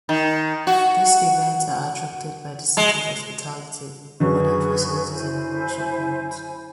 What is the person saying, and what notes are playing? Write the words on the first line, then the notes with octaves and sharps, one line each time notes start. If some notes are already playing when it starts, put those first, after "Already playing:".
These events are attracted by the city's hospitality, modern facilities and overall support.
D#3
F#4
G#3
F#2 D3 G#4 B4 C#6
E4 C5 G#5